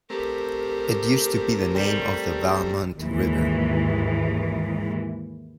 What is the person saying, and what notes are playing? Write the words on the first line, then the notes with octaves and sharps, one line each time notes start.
It used to be the name of the Valmont River.
A3 C4 G4 A#4 A#5
G3
D#2 G#2 E3